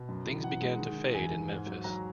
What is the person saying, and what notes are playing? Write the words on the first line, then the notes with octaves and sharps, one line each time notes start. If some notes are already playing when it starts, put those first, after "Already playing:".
Things began to fade in Memphis.
Already playing: B2
F#2
E3
E3 F#5
G#3
D#3
D#3
E2 G#5
D#3
G#2
F#3
F#3 A#5